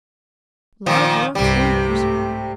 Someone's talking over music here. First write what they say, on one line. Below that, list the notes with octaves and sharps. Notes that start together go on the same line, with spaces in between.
Love works wonders.
A#2 D#3 F3
C2 G2 C3 G3
G#2 A3